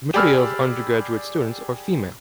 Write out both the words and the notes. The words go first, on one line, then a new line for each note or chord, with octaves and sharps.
The majority of undergraduate students are female.
G4 G#4 D5 B5 E6 F6